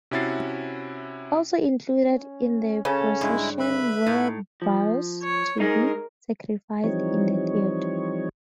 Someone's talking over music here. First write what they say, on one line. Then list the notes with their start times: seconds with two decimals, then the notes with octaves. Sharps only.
Also included in the procession were bulls to be sacrificed in the theatre.
0.11 C3 C#4 E4 F#4 A6 C7
2.02 C#4
2.85 C#3 C#4 A4
3.21 G2 G#3 E4
3.59 D3 B4 E5 B5
4.07 A2 D#4
4.62 F3
5.23 C#5
5.60 G#3 D#4 A#4
6.84 E3 F3 G3 C4 D#4 C#5